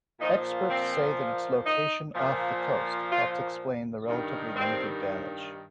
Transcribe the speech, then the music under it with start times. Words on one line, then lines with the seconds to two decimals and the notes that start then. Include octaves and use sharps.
Experts said that its location off the coast helps explain the relatively limited damage.
0.20 A#2 F3 D#4
0.68 C4
1.65 D#4
2.14 A#2 F3
3.10 F4
4.08 G2 D#3
4.55 C4